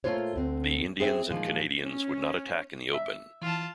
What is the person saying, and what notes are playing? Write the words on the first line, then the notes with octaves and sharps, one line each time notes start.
The Indians and Canadians would not attack in the open.
A#2 G#3 A3 F4 C5 C#5
D2 C4
C4 G#4 B4 C5 E5 G5
A#2 D#3 F3 G#3
C#4
E5
E3 F4 A5